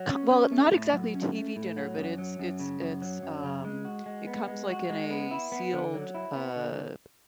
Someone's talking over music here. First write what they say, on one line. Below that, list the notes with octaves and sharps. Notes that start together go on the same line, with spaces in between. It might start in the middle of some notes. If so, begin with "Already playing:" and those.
Come well, not exactly TV dinner, but it's it's it's, um, it comes, like, in a sealed, uh,
Already playing: F#3
C#4
C#4
A3
A2
F#3
C#4
A3
A2
F#3
F#2
F#3
F#2
C#3
F#2
F#3
F#2
C#3
G#3
F#4
G#3
B3
G#3
F#4
G#3
B3
E4
B3
D3
F#3
E4
B3
D3